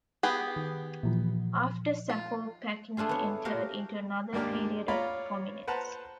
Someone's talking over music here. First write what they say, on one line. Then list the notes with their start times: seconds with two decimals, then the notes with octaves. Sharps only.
After "Saffo", Pacini entered into another period of prominence.
0.23 B3 G4 G#4
0.56 D#3
1.03 A#2 E3 F3
2.09 F4
2.97 A3 D4 F4 G#4
3.09 B3 C#5
3.45 F#4 G4 A#4 F5
4.33 D#2 G#2 A#3 D4 G4 F6
4.88 F4 C#5 D5 F5 A#5 B5
5.67 B4 C5 F#5 A5 A#5